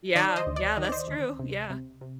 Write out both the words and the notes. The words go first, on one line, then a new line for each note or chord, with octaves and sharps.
Yeah, yeah that's true, yeah.
D#3 D5
C5 D#5
D2
D5
D#3 D#5
D5
C5 D#5
D2
C3
C3
C3